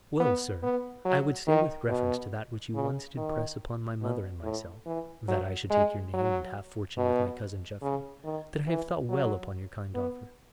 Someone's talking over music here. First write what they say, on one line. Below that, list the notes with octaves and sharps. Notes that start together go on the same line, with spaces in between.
"Well, sir, I would say with reference to that which you once did press upon my mother and myself--that I should take your name and half-fortune with my cousin Geoffrey--that I have thought well upon your kind offer."
B3
B3
F#3
D#3
B2
C#3
D#3
B2
A2
E3
F#3
G#3
F#3
B2
C#3
D#3
E3
F#3
B3